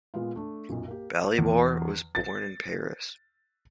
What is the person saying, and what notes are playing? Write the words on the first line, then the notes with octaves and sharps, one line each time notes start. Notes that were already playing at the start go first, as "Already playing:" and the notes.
Balibar was born in Paris.
A#2 G#3 B3 F4
A3 D4
B1 F#2 A#2
A#3 G4
E2
A6